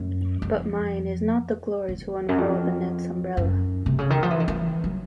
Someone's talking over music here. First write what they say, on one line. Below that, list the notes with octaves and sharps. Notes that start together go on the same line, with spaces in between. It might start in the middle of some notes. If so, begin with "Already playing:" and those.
But mine is not the glory to unfurl the net's umbrella.
Already playing: F#2
F2
E2
F#2
F2
F#2
C3
C#3
D#3
F3
E3
D#3
E3
F#3